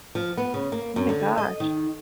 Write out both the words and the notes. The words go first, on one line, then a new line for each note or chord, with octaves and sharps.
Oh my gosh.
F3
B3
C#3
A#3
F#2
D3
D#5
D#3